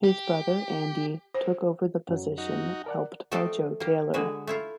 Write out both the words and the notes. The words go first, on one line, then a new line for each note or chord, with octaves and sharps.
His brother, Andy, took over the position, helped by Joe Taylor.
G4
C5
F#2 F#3
D#4 F#4
A#4 D5 F#5
F3 A3 C4 A4 D5 D#5
A#3 G4
D3 G#3 F#4 B4
A3 E4 F4